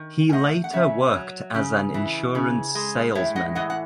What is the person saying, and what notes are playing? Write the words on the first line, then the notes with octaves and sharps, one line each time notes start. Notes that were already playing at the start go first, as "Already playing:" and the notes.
He later worked as an insurance salesman.
Already playing: D#3
G#5
A3 D#5 F#5
F#5
C#3 C#5 E5
F#3
C#3
E3
C#3
G#3
A2 C#5 E5
D#5 F#5
E3 D#5 F#5
F#5